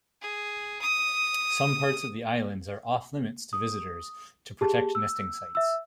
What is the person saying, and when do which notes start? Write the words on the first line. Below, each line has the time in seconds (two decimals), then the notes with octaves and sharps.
Some parts of the islands are off limits to visitors to protect nesting sites.
0.22 G#4
0.82 D#6
3.53 D#6
4.61 G4 G#4 A5
4.95 E6
5.55 E5 E6